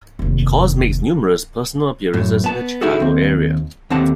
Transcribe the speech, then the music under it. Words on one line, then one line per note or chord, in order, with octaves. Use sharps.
Koz makes numerous personal appearances in the Chicago area.
F1 D#2
F#2 A2
B3 A5
D#4 E4 F#4 G#4 A4
D#2 C4
D#2 D3 C4 F#5 A5